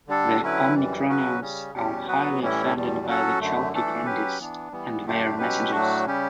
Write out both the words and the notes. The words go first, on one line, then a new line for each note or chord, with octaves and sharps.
The Omicronians are highly offended by the chalky candies and their messages.
D3 G3 D4 A4
D3 F#3 C#4 E4 B4
F#2 E3 G3
C#3 F#3 C#4 F#4 B4
C#3 G3 C#4
E2 B2 G3 C#4 G4
F#3 B3 F#4 B4
A2 E3 G3 C#4 E4
E2 B2 G3
F#3 C#4 F#4 A4
F#2 D3 A3
E3 A3 D4 A4
F#3 C#4 G4 B4
E3 B3 D4
E3 G3 B3
F#2 D3 A3 D4 G4
B2 F#3 C#4 G4 B4
A2 F#3 A3 D4 F#4
C#3 G3 C#4 G4